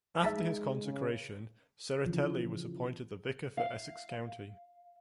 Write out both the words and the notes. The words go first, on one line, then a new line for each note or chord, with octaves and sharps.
After his consecration, Serratelli was appointed the vicar for Essex County.
G#3 D#4 E5 A5 B5
C#3
C#3 E3 F3
F5